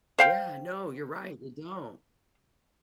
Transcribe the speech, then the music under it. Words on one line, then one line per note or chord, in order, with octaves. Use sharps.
Yeah, no, you're right, they don't.
C5 F5 G5